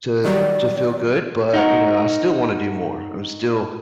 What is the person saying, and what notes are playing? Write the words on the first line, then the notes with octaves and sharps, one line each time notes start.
to to feel good, but, you know, I still wanna do more. I'm still
D#3 F#3 G3 D5
D#4 F#4 A#4